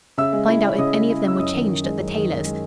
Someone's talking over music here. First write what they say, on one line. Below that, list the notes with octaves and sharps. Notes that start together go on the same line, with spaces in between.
Find out if any of them were changed at the tailor's.
C#3 E5 E6
G#3
E4
C#4
C#3 D#5 D#6
G#3
E4
C#4 E6
F#2 D#5 D#6
D#3
F#2
G#3
F#2
D#3
F#2
G#3